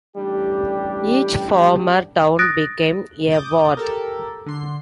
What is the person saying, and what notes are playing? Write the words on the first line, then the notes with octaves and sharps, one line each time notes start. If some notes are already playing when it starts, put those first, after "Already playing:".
Each former town became a ward.
A1 G3 D4 G4
D#6 F#6 A6 A#6 D7
D6 D#6 G6 A6
G4 A4 A#4
D3 C6 C7